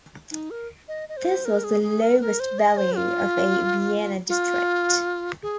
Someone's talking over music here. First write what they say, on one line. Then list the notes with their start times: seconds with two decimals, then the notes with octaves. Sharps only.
This was the lowest value of a Vienna district.
0.31 D#4
0.51 A#4
0.88 D#5
1.09 D#5
1.17 C5
1.45 A#4
1.64 G#4
1.83 G#4
2.02 A#4
2.21 A#4
2.40 C5
2.59 D#5
2.77 C5
2.96 F4
4.29 F4
5.43 G#4